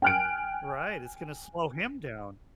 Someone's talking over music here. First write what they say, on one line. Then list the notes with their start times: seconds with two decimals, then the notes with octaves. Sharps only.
right, it's gonna slow him down.
0.02 G5 G#5 F6 F#6 D7